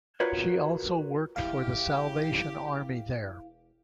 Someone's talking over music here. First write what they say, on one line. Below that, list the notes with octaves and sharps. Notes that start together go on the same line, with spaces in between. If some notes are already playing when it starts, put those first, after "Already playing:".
She also worked for the Salvation Army there.
F4 F#4 A#4 B4 C#5
E1 E4 G4 F5